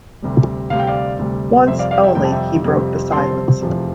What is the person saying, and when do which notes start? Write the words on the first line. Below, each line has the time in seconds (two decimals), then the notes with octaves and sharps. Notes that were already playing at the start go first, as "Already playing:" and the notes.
Once only he broke the silence.
0.22 D2 C3 G3
0.70 D2 C3 G3 F5
0.79 G5
0.87 D5 F5
1.19 D2 C3 G3
1.67 F2 C3 G3 C4 C5 E5
1.79 D5 F5
1.91 D5 F5
2.04 E5 G5
2.15 F2 C3 G3 C4 G5
2.24 A5
2.32 E5 G5
2.64 F2 C3 G3 C4
3.12 F2 C3 G3 C4 A5 C6
3.61 F1 E2 C3 F3